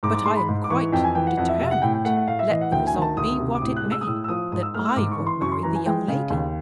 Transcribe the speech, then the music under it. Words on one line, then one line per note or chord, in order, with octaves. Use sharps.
"But I am quite determined, let the result be what it may, that I won't marry the young lady."
G#2 D6
D6
G#3 C6
B5
G#2
D6
E3 C#6
F2 G5
G#5
E3 G5
F#5
F2 F#5
E5
C3 E5
F#5
A2 G5
G5
A3 F#5
F#5
A2 F5
E5
E3 D#5
F#5
D2 G5
G#5
D#3
A5
D2 D#6
C3
D6
A2 D#6
F#6
G#3
E6
D#6
A2 E6
E6
F3 D#6
G#2 D#6
E6
A3 F6
E6
G#2 D6
C#6
E3
C6
F#2 C#6
C6
E3 A#5
G#5
G#3 G5
C#3
D#2